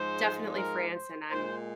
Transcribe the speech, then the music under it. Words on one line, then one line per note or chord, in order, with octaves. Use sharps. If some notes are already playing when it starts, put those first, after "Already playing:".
definitely France and I'm
Already playing: G#2 F3 G#3 C5
A#4
C5
A#2 G#3 C5